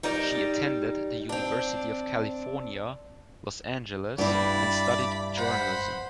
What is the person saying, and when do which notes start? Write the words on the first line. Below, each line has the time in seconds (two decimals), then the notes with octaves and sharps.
She attended the University of California, Los Angeles, and studied Journalism.
0.03 G3 D#4 A#4 D5
1.29 C4 D4
4.18 G2 E4 D5 B5
5.37 C5 F#5 B5